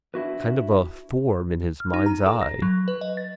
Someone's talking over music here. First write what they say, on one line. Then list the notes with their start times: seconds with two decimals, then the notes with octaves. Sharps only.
Kind of a form in his mind's eye.
0.14 D4 E4 F#4 B4
1.80 F6
1.94 D#4
2.06 A#5
2.26 A4
2.41 A#6
2.62 F#3
2.88 B4
3.01 D#5
3.17 A6